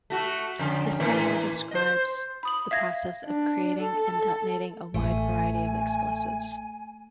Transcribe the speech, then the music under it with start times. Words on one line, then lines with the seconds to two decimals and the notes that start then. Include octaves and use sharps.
This manual describes the process of creating and detonating a wide variety of explosives.
0.10 A3 F#4
0.59 F2 D3 C#4
1.00 A2 E3 A#3
1.71 C5 D#5
2.43 B5 D#6 F#7
2.71 E5 F5 G#6 A#6
3.26 D4
3.82 A4
4.94 A1 A3 G#5